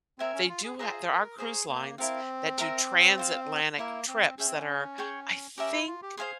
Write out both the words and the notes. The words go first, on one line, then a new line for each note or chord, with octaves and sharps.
they do ha there are cruise lines that do transatlantic trips that are, I think
C4 A#4 E5 G#5
C#4
F4
G#4
F4 G#4 C5 E5 A#5
A#4
G#4 C5 E5 A#5 C#6
A#3
C4 E4 A#4 F5
A#4 E5 A#5
F4 C5 F5
A#3 E4 A#4 E5
C4
C#4 G#4 E5 G5
C4
C#4
G#4 C#5 G5 C#6
C#4 G4 A#4 E5
E4
F4
G4
G#4 C5 F5 G#5 C6